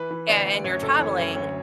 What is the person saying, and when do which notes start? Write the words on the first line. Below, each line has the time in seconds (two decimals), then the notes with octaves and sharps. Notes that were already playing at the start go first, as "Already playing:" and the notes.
a and you're traveling
Already playing: E3 B4
0.10 E3
0.29 D2 D5
0.46 D2
0.64 F#2 C#5
0.82 F#1 A4
0.99 E3 C#5
1.17 F#2 C#5
1.35 D2 C#5